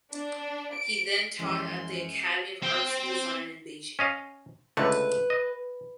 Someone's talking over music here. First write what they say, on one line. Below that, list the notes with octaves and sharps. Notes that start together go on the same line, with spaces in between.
He then taught at the Academy of Arts and Design in Beijing.
D4
D7
F#2 E3 F3 G#3 C#4 C6
C4 G5
C#4 D#5 F5
C#2 D3 A3 B4
D#5